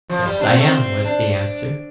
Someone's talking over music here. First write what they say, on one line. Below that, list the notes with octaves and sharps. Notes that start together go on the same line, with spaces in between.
'Yes, I am,' was the answer.
F3
G3
D4
C4
A3
C4
D4